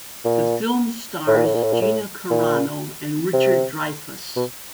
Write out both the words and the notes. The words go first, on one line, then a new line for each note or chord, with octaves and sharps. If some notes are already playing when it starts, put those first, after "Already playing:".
The film stars Gina Carano and Richard Dreyfuss.
A#2
A2
A#2
A2
A#2
A2
A#2
A2
A#2
C3
B2